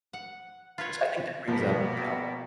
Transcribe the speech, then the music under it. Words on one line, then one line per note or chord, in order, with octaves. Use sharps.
which I think that brings up, you know,
F#5
F4 B4 C#5
B2 F3 A#3 B3
C4